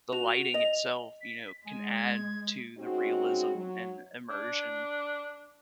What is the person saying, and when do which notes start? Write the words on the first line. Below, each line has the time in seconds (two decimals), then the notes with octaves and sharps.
the lighting itself, you know, can add to the realism and immersion
0.12 F#4 F7
0.54 D#5
1.21 B6
1.66 G#3 G#5
1.95 G#6
2.77 G#3 C4 C#4 D#4 F#4
3.55 F#3
4.30 D4